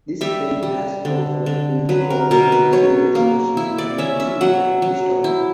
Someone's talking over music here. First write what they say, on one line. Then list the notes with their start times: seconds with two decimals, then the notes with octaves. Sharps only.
This claim has, however, been called into serious question by many modern historians.
0.21 G3 E5
0.63 G3
1.05 D3
1.46 D3
1.89 F#3 B4
2.10 A#4
2.31 B2 A#4
2.52 B4
2.73 F#3 C#5
3.15 A#3
3.57 E4
3.78 D5
3.98 C#4 E5
4.20 E5
4.41 F#3 F#5
4.82 F#3
5.24 E4